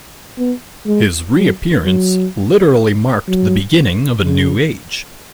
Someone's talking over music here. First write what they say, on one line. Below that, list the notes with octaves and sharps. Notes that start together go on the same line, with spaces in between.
His reappearance literally marked the beginning of a new age.
B3
G#3
F#3
F#3
F#3
C#3